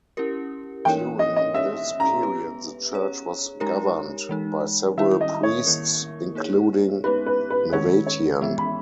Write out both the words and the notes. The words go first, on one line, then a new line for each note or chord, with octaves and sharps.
During this period the church was governed by several priests, including Novatian.
C#4 E4 G4 A#4
E3 A#3 D#4 A#4 C#5 G5
D#5
D#5
C#4 G4 C#5 E5
A#5
B3 G4 B4
C#4 G#4 C#5
G#3 D#4 G4 A#4 C#5 A#5
E3 G#3 D#4
D#3 G3 C#4 E4 E5
D#5
C#5
D#3 A#3 E4 A#4
A#3 D#4 G#4 C#5
G#3 B3 D#4 G4 B4
B4
B4
D#3 G#3 C#4 G#4 C#5
C#5
E3 G#3 B3 E5
B5